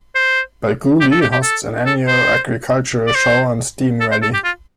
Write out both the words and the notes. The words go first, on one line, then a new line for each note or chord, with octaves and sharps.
Belgooly hosts an annual "agricultural show" and "steam rally".
C5
G4
A4
G4
G4
A4
A4
C5
D5
C5
A4
C5
A4
G4
F4